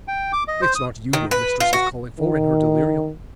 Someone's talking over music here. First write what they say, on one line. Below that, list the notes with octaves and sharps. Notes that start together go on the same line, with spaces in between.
It's not you your mistress is calling for in her delirium.
G5
D6
D#5
C5
D#6
D#3
B4
F4
F#4
D#3